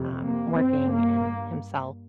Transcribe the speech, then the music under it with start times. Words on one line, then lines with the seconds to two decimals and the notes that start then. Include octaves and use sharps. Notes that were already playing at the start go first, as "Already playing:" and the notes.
um, working and himself.
Already playing: F2 C3
0.23 A#3
0.58 G2 C4
0.92 A#3